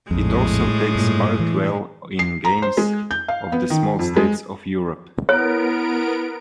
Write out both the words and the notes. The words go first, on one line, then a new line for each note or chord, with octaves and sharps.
It also takes part well in Games of the Small States of Europe.
A#1 F2 A2 G#3
G2 A#2
E3
C7
A#5
C5
G#3
G6
F5
B3
D#3
F2
G#3
B3 E4 A#4 C#5 D7